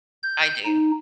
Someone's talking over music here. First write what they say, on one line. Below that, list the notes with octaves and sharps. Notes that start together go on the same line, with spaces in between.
I do.
G6
D#4